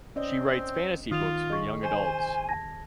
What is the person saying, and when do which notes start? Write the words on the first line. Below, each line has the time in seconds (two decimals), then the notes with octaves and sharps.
She writes fantasy books for young adults.
0.16 C4 C#4 D5 D#5
1.11 D#3 F4 D#6 F7
1.50 G#4 D#5 C#6
1.83 C5 G#5
2.49 A5 G#6 A#6